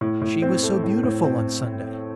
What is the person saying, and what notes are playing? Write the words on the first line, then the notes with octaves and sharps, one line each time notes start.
She was so beautiful on Sunday.
A2
A2
C4
A3
A2
A2
C4